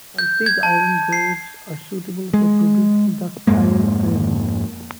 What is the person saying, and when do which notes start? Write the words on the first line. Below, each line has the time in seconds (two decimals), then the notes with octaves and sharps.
Some pig iron grades are suitable for producing ductile iron.
0.19 G6
0.46 G#6
0.63 A5
1.13 C7
2.34 G#3
3.47 F2 G#2 G#3 A#3